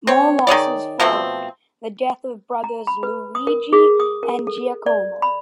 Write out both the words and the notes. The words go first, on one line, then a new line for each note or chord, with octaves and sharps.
More losses followed: the death of the brothers Luigi and Giacomo.
C4 C#5
D#3 G#4 C#5 D5
B2 F3 A3 C4
A#5
B5
B4
D#6
A#4
G#4
D#6
A#4
A4
D5
B5